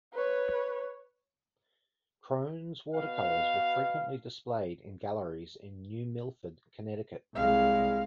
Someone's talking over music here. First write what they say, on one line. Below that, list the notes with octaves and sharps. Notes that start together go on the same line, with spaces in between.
Crohn's watercolors were frequently displayed in galleries in New Milford, Connecticut.
B4 C#5
B2 F5
C2 G#3 F5